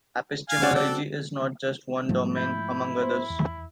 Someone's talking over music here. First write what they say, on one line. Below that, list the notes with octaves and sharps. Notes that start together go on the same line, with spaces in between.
Epistemology is not just one domain among others.
F5 G#5
C4 F#4 D5
D4 A4
G#2 F3 G3 A3
E4 G6
B3 C5
E2